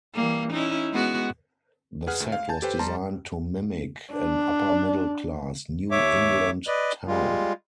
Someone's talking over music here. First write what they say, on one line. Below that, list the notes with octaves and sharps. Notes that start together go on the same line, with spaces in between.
The set was designed to mimic an upper-middle class, New England town.
E3 G3 A#3
C#4 D#4 E4
G#3 B3 F#4
G#4 B4 F#5 F6
D2 A3
F5
G#5 A5 G6
G4 A4 B4 C5 G5
G3 A5 A#5 C6
D4
D#2 C#5 E5 D6
B4 D5 D#5
G3 G#3 F4